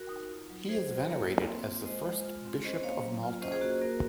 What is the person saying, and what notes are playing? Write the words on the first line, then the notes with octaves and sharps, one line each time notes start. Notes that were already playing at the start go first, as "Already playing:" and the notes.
He is venerated as the first Bishop of Malta.
Already playing: F#4 A#4
D#4
F4
F#3
F#3 G#4 C5
F#3
A#3 A#4 C#5
A#3
C4
F4
G#3 C5 D#5
G#3
F4
C4
C#4 C5 D#5
A#3 C#5 F5
F#3
F4
C#4 C5 D#5
G#4 C5
A#3 F#4
G#4
A#3 F#4 A#4